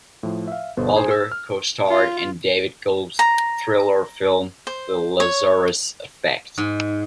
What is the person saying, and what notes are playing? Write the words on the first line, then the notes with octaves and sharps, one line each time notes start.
Bolger co-starred in David Gelb's thriller film "The Lazarus Effect".
A2 F3
E5 F5
G1 B2 B3 A4 C5
D#4 G#4 C5 G#5
E6
F6
F4
A#5
C5
C#5
G#2